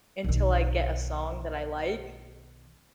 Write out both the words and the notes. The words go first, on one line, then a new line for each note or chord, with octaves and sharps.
until I get a song that I like
B1 D#3